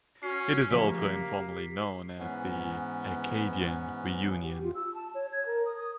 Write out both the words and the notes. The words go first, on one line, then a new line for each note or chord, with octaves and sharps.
It is also informally known as the "Acadian Reunion".
C#4 F#4 C7
C#3 F3 A3 A#3 G4 B6
G#2 E3 B3 C#4
G4
F4
E6
A5
C#5
G#6
A#4
D#6
D#6